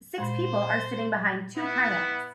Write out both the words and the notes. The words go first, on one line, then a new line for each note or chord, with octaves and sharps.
Six people are sitting behind two kayaks.
A#2 G#3 C5
B3 E4